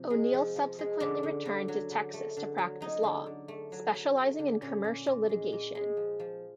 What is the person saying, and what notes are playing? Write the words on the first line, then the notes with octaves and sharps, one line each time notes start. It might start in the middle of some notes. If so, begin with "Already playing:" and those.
O'Neill subsequently returned to Texas to practice law, specializing in commercial litigation.
Already playing: C3 F3
G#3
F3
F3
G#3
D3 D4
D3
D3
F#3
D3
A3
D3
F#3
F#3 D#4
D3
D3
A3
F#3
F#3
A3
D3
A#2 C#4
A#2
A#2
G#3
A#2
G#3
F3
F3